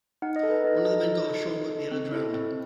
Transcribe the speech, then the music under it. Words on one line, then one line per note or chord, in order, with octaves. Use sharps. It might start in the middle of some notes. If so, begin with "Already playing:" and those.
One of the men got ashore but the other drowned.
D#4 F#5
D#5
A4
B4
D#4 D#5
A4 D#5
D#4
A4
D#4 D#5
A4
C4
E4 A4
C4